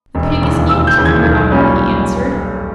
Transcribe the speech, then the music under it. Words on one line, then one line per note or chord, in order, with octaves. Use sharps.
"The pig is eat, your honor," he answered.
E1
D#2 C#3 E3
E1 E6
G6
D#2 C#3 E3
G#6
B1
A#2 G3 C#4